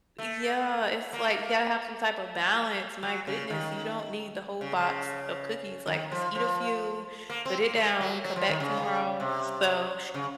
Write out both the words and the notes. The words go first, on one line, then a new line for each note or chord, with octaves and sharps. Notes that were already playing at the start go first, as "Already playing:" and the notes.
yeah, it's like, you gotta have some type of balance, my goodness, you don't need the whole box of cookies, like, just eat a few, put it down, come back tomorrow, so
A3
A#3
F#3
C#3
D#3
C#3
C#3
D#3
F3
F3
A#3
C4
A#3
A3
F#3
F#3
F3
D#3
C#3
C3
C#3